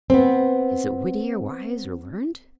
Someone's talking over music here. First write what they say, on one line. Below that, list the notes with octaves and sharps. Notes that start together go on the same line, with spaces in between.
Is it witty, or wise, or learned?
B3 C4